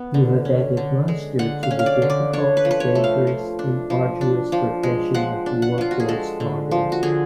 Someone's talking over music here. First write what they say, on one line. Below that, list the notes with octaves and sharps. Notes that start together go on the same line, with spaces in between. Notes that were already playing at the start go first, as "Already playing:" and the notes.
You have added luster to the difficult, dangerous and arduous profession of War Correspondent.
Already playing: B3
D3
C#4
D3
G#3
D3 F#5
F5
C#4
F5
D5
D3
D5
D4 C#5
B4
F3
B4
C#5
A3
F5
F3
D4
F3
D4
F3
G#3
F3 F#5
D4
F#5
F3 F4
F#4
G#4
G#3 A4
D3
F3
F#4
D3 G#4